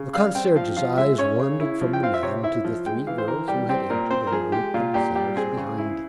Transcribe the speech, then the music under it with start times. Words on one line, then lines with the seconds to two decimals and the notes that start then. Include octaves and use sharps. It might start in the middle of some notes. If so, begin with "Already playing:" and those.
The concierge's eyes wandered from the man to the three girls who had entered and grouped themselves behind him.
Already playing: C#3
0.14 G3 F5
0.35 C4 G5
0.56 F3 F5
0.77 F3 F5
0.97 G#3 E5
1.18 C#4 C#5
1.39 C#3
1.61 E4
1.81 F3
1.93 G5
2.03 C4 F5
2.14 E5
2.23 C3 C#5
2.43 E4 E5
2.65 F3
2.86 G#3 G5
3.07 E3 F5
3.18 C5
3.27 E3 A#4
3.48 G3 G4
3.69 C4 G4
3.90 A#2 A#4
4.11 C4 C5
4.27 A#4
4.32 F3 G#4
4.52 G#3 G4
4.74 A#2 F4
4.94 A#2 G4
5.15 G3 G4
5.36 C4 G#4
5.57 C#3
5.78 E4